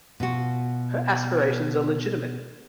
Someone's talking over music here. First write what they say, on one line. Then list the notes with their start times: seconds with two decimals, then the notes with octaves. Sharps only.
Her aspirations are legitimate.
0.20 B2 F4 F#4